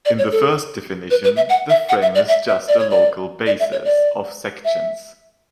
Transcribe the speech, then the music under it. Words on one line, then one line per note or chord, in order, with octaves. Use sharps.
In the first definition, the frame is just a local basis of sections.
D5
C#5
A4
B4
B4
E5
F#5
E5
F#5
E5
D5
E5
E5
D5
C#5
D5
D5
E5
C#5
D5
E5